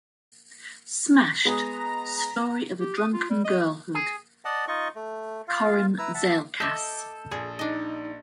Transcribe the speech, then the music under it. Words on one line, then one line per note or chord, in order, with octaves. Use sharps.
"Smashed: Story of a Drunken Girlhood", Koren Zailckas.
G#3 B3 G#4 A#5
G4
D#6
F4
G3
D#5
G#4
D5 D#5 F#5 A5
D#4 F4 D#5 C#6
A3
F4 F5
E4 B4 A#5 E6
E5 F#5 A5
A4 D#5 E5 D6 D#6 G6
A#1 G#4
D4 D#4 D#5